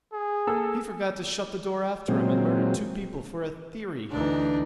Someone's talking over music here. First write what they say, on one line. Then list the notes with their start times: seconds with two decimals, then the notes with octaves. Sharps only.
He forgot to shut the door after him, and murdered two people for a theory.
0.13 G#4
0.47 A#3 A4 E6
2.08 A#2 F#3 G#3 C4
4.11 D2 E3 D4 D#4